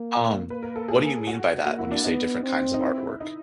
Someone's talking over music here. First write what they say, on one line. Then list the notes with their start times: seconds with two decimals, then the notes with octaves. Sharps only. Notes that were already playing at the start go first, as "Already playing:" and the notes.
Um, what do you mean by that, when you say different kinds of artwork?
Already playing: A#3
0.50 A#3 B4
0.63 A#4
0.76 A4
0.88 G#4
1.27 F#4
1.65 A#3 F#4
1.79 E4
1.91 D4
2.04 B3 D#4
2.43 C4
2.74 D#4
2.82 E4
3.20 D#4